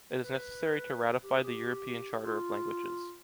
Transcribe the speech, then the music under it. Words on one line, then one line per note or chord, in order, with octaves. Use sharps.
It is necessary to ratify the European Charter of languages.
B4
G4
G#4
G4
F4